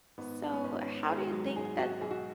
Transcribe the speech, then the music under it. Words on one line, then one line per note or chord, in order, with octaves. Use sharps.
so how do you think that
G#1 B3
B3
G#1 C#4
D#3 G#3
F#3
G#2 G#4
F#4
B1 G#4
F#4